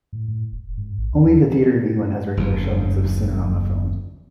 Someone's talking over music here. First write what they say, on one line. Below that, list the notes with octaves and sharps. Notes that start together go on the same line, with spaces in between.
Only the theater in England has regular showings of Cinerama films.
A2
A2
E1
G#2
A1
D2
D#2
F#1 D#2